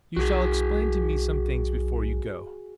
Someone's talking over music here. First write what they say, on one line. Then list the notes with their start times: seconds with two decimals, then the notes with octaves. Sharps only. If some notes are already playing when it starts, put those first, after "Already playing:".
"You shall explain to me some things before you go."
0.16 B1 F#4 G#4